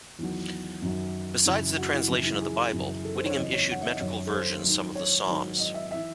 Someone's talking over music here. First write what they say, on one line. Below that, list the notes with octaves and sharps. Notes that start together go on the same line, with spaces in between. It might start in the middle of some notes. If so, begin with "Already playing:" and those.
Besides the translation of the Bible, Whittingham issued metrical versions some of Psalms.
E2 D#3 F#3
F#2 D#3 F#3
F#2 C#3 E3 E4
F#4
E4
F#2 C#3 E3
E4
G#4
F#2 C#3 E3
A4
C5
C#5
E2 C#3 F#3 D#5
C#5
F#5
E5
D#5
F#2 D#3 F#3 C#5
A4
C5
G#2 D#3 F#3
C#5
G#2 D#3 F#3
D#5
E5
E3 E5